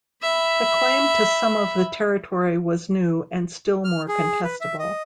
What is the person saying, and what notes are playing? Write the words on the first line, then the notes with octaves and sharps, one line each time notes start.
The claim to some of the territory was new and still more contestable.
E5 B5
F6
G#4
B4
E5
D#5